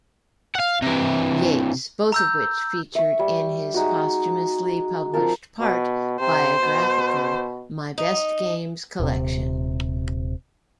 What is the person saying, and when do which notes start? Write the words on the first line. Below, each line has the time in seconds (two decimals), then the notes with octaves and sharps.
Yates, both of which featured in his posthumously published, part-biographical, 'My Best Games' Collection.
0.55 F5 F#5
0.82 C3 E3
2.12 A#5 E6 G6
2.95 E5 C#6
3.19 G3
3.74 G#3 D#4 F#4
5.14 F3 C4 A#4 A5
5.61 B2
6.20 C3 C5
6.61 B2
7.98 D#4
9.00 D#1 C3